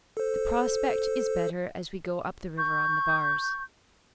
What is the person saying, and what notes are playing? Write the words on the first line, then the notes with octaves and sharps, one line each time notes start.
The prospect is better as we go up the river on the bars.
A4 C5
C#6 G6